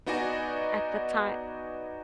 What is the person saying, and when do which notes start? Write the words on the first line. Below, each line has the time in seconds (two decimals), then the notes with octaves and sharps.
at the time
0.06 B3 D#4 F#4 D5 D#5 G#5